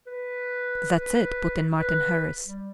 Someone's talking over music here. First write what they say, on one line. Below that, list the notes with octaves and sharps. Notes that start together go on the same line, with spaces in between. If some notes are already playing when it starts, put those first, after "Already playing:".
"That's it," put in Martin Harris.
B4
B4
B4
G3